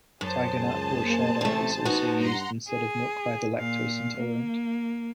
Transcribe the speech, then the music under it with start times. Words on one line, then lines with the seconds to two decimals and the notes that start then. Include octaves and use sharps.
Tigernut horchata is also used instead of milk by the lactose-intolerant.
0.21 F#2 G#4 C5 A5
0.55 C#2
1.04 A#3
1.41 A1 C3 A3
1.85 B3 D#4 F#4
2.20 G2 F#5 A#5 C6
2.68 G#4
3.58 A#2 F5
4.17 A#3